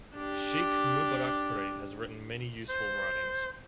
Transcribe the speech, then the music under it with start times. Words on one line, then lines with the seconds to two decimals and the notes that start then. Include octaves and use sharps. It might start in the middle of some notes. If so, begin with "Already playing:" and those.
Sheikh Mubarakpuri has written many useful writings.
0.15 D4 G4
2.69 C5